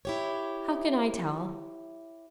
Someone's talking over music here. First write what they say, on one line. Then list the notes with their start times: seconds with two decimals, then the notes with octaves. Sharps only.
'How can I tell?
0.05 E4 G4 C#5